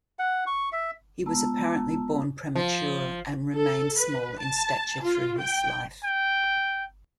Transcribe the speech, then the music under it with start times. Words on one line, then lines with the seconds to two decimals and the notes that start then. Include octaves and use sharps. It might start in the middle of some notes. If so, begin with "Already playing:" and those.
He was apparently born premature and remained small in stature through his life.
0.19 F#5
0.47 C#6
0.72 E5
1.26 G#3 B3 F4 A5 A#5 E6
2.55 F3
3.54 A4
4.00 B4
4.40 A5
5.02 F4
5.41 G5
6.03 G5